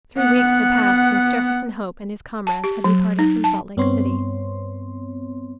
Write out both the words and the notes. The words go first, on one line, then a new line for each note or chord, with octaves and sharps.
THREE weeks had passed since Jefferson Hope and his comrades had departed from Salt Lake City.
B3 F#5
A5
G4
F#3
D#4
A5
G2 B3 C4 C#5 C6